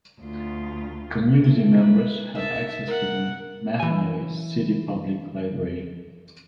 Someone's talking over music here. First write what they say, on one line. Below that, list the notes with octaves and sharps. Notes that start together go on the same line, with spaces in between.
Community members have access to the Mahanoy City Public Library.
D2 F4
E4 A4
B4
D#3 E5 A5
A#4 F#5
E3 G#5